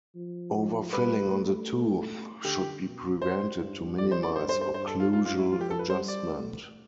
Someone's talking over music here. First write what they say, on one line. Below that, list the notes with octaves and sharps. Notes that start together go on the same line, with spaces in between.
Overfilling on the tooth should be prevented to minimize occlusal adjustment.
F3
F3
G3 B4
A3
D3 G4
B2
C5
G2
F2 D5
C5
D5
G2 C5
C5
C5
G2 C5
A4
F4
G2 F4
F4
E4
F3 F4
G4
A4
B4
G3 C5
D5
A3